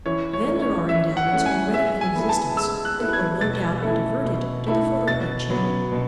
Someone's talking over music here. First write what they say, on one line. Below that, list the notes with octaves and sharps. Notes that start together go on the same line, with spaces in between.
Then there are endowments already in existence that will no doubt be diverted to the photoplay channel.
E3 C#5
C#5
A3 C#4
C#5
E3 E5
F#5
A3 C#4
G#5
G#3 E5
G#5
B3 E4 A4
A5
G#3 E6
F#6
B3 E4 A4
G#6
B2 A6
A3 E4 A4
B2
A3 E4 A4
B2 A6
F#3 B3
B2